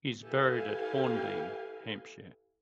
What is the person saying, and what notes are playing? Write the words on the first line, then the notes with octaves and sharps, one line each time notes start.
He is buried at Horndean, Hampshire.
E4 G4 A4 B4 F5 G#5